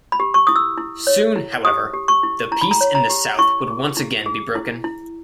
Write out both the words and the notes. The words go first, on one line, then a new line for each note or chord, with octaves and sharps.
Soon, however, the peace in the south would once again be broken.
B5
G4
C#6
E4 D#6
E6
E4
C#5
E4
G4 D#6
G4
C#6
E4
E4 A#5
B5
A#5
C#5
A#5
G4
E4 C#6
G#4
E4
G#4
E4
E4